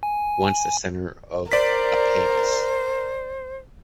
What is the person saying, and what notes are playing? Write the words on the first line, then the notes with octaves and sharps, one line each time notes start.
Once the center of a pagus.
G#5
A#4 C5 D5 B6